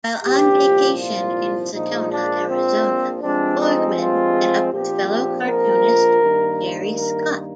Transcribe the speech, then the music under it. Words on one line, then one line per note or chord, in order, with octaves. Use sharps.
While on vacation in Sedona, Arizona, Borgman met up with fellow cartoonist, Jerry Scott.
C2 A#2 F3 G4
F4
A#1 A#2 F3 G#3 D#4
D4
C4
G2 F3 G#3 C4 D4
D#4
F4
A#1 A#2 F3 C4 G4
A#4
G2 D#3 A#3
A#4